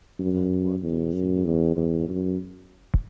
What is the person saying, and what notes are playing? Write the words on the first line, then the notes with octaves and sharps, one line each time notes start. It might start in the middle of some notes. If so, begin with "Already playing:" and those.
And what do you think about father?
F#2
E2
F#2
E2
E2
F#2